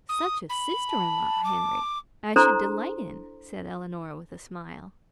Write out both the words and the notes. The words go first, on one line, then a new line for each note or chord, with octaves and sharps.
"Such a sister-in-law, Henry, I should delight in," said Eleanor with a smile.
D#6
B5
A5
D6
D4 E4 A4 C5 A#5 C6